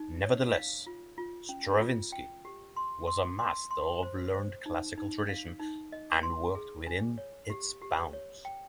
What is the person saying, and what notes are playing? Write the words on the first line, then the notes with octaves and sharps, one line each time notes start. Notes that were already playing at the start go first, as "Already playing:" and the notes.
Nevertheless, Stravinsky was a master of learned classical tradition and worked within its bounds.
Already playing: D#4
C#5
F5
F4
F4
C#4
F4
G5
G4
C6
C6
C6
C6
C5
C5
D#4
D#4
F5
D#4
D#5
C6
G#4
G#5
C#5
G4
G4
C#5
G5